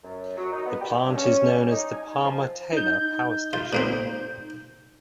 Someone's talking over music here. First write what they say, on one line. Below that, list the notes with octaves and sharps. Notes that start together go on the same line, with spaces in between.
The plant is known as the Palmer-Taylor Power Station.
F#2
F#3
D#4
B3
G4
G2
C#4
G3
D#4
G#5
F3
D#4 G6
F4
A#2 A#3 C4